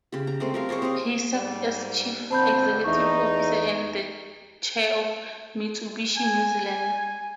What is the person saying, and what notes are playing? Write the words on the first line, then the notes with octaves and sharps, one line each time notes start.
He served as chief executive officer and then chair of Mitsubishi New Zealand.
C#3 G4
A#5
G#3 A3 C4
G3 A#4 F5
G4 G#4 C5 C#5
C4 C#5 D#5 F5
G#2 G3
F2 B2 D3 C4 A5 B5 G6
E2 D#4 E5 C#6
G#5